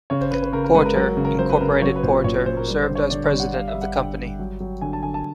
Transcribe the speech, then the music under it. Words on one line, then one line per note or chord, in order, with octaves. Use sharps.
Porter, Incorporated Porter served as president of the company.
C#3 C#5
C5
C#3 B4
B4
C#3 A#4
A#4
G#3 B4
A#4
F#3 A#4
C#3
A#4
F#3 C5
B4
C#3 A#4
F#3 C#5
B4
A#2 C5
A#2 C#5
A#2 C5
A#4
G3
C5
D3
C#5
D3 D5
C#5
G3
F#5
G3 F5
E5
G3
F#5
D3 G5
G3
F#3
F#3
D3 G#5
A5
D3 G#5
A5